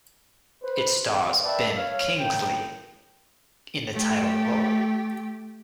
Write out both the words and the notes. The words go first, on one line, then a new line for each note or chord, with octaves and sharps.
It stars Ben Kingsley in the title role.
B4 C5
G#1
A#4 B4 D5 E5 G5 A5
C#5 F5
G1 A2 A#4 B4 G5
A3 G4